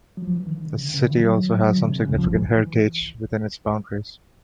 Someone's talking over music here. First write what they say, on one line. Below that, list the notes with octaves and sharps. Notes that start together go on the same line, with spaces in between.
The City also has some significant heritage within its boundaries.
F#3
F3
E3
D#3
D#3
D3
C#3
D3
C#3
D#3
F#3
F#3
D3
C3
C#3
F3
E3